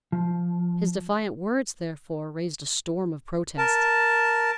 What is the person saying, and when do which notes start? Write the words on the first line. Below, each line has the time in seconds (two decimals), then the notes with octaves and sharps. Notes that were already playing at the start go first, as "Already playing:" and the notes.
His defiant words therefore raised a storm of protests.
0.12 F3
3.58 A#4 A5